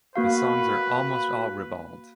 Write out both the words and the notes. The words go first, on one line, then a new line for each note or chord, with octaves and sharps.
The songs are almost all ribald.
A#3 F#4 B4 F5